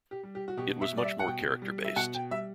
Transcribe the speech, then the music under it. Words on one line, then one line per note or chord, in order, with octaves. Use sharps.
It was much more character-based.
G4
G3
G4
F#4
B2 G4
E5
G3 D5
E5
F#5
B2 G5
G3
E5
B2 F#5
G5
G3 E5